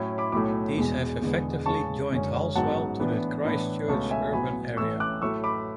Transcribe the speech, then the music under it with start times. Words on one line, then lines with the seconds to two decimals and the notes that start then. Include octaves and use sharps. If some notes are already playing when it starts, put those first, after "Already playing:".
These have effectively joined Halswell to the Christchurch urban area.
Already playing: A2 F#3 C#4 E4
0.18 B5 D6
0.32 B1 A2 F#3 A3 B5 D6
0.77 E1 E2 B2 G#3
1.22 E1 E2 D3 G#3 B3
1.66 E2 C#3 G#3 C#4 A5 C#6
2.11 F#1 F#2 D3 G#3 C#4
2.56 A1 G#2 F#3 B3 F#5 A5
3.00 A2 E3 B3 D4
3.45 A2 E3 B3 D4
3.88 C#2 B2 A3 C#4 A5 C#6
4.11 E5 G#5
4.33 A1 A2 F#3 B3 G#5 B5
4.77 A1 A2 E3 A3 C#4 C#6 E6
5.00 D6 F#6
5.21 A2 F#3 A3 C#6 E6
5.44 B5 D6